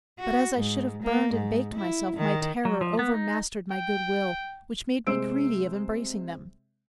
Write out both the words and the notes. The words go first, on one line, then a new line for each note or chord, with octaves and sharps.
But as I should have burned and baked myself, My terror overmastered my good will, Which made me greedy of embracing them.
F#4
G#2
A#3
G#2
E4
D#3
F#3
F3
B3
D#4
G5
C3 G#3 C5 E6 D7